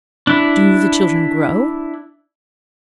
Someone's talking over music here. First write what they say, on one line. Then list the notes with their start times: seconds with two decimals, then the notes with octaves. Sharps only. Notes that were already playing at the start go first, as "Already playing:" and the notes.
Do the children grow?
0.27 D4 E4